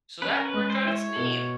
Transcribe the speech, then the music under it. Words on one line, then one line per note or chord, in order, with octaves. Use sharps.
so that's where it got its name.
C#4 B4
A#4
B4
G#3
C5
E4 C5
C#5
B2